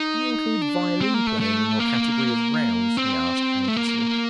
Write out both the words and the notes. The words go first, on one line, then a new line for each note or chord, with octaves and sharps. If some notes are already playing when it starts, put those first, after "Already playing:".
"Do you include violin-playing in your category of rows?" he asked, anxiously.
Already playing: D#4
D4
C4
A#3
A3
A3
A#3
C4
A3
A#3